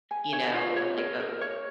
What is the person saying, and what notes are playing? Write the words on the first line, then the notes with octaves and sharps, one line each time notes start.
you know? I'm like, uh,
G#5
C#5
F4
C#5
A#4
A#4
C#5